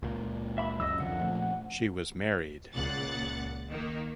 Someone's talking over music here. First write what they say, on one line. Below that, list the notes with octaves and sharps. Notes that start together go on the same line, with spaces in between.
She was married.
C#2 A#2
E5 B5
C#2 F#2 C#3 D#5 E6
F2 D3 F3 F#5
A#2 F3 A3
C#2 A#2 F#5 F#6 A6
D#3 A#3